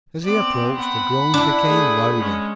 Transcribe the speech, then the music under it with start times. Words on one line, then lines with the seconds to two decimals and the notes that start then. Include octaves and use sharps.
As he approached, the groans became louder.
0.24 B3 C4 D5
0.77 F#5 B5
1.34 D4 E4
1.66 A3 G#4
2.19 G#3 C#4